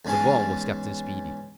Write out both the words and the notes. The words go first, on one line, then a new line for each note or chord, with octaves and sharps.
The bomb was Captain Speedy.
E2 G#2 C#4 G#4 A5